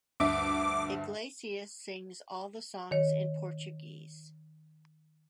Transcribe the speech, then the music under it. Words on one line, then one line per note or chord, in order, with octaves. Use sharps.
Iglesias sings all the songs in Portuguese.
D2 G2 E5 D6
D#3 C#5